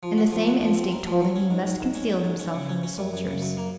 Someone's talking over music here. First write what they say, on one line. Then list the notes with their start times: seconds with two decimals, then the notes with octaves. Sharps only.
And the same instinct told him he must conceal himself from the soldiers.
0.03 F3
0.18 F#4
0.32 F3
0.47 F#4
0.62 F3
0.76 C4
0.92 A#4
1.06 F3
1.21 F#3
1.36 C#4
1.51 G#2
1.65 G#2
1.80 G#2
1.95 C#4
2.10 C#4
2.25 G#2
2.40 C#4
2.54 C#3
2.69 C#4
2.83 C#4
2.98 F#2
3.13 F#2
3.28 C#3
3.42 F#2
3.57 A#3